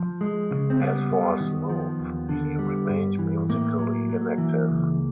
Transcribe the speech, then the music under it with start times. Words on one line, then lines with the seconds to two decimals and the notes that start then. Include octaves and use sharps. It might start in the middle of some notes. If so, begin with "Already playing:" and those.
As for Smooth, he remained musically inactive.
Already playing: F3
0.21 G#3
0.51 C#3
0.70 C4
0.80 G3 B3
1.09 F#2
1.40 D#3
1.69 F3
1.99 D#2
2.29 D3
2.59 G3
2.89 G2
3.19 E3
3.50 A2 A#3
3.78 F#3
4.09 F#3
4.38 E3
4.69 C#2